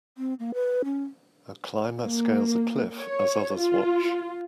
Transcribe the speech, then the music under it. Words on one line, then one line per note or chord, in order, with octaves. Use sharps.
A climber scales a cliff as others watch.
C4
A#3
B4
C#4
A#3
C#5
F4